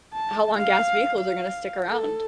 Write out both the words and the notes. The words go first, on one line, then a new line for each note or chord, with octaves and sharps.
How long gas vehicles are gonna stick around,
A5
F5
F5
A4